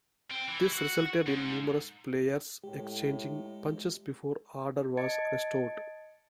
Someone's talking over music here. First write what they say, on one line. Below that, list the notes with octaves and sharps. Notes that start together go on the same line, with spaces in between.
This resulted in numerous players exchanging punches before order was restored.
C4
E3
F#4
G#2
A2 G#3 G4
D#5 A5 G#6 A6 C#7 D7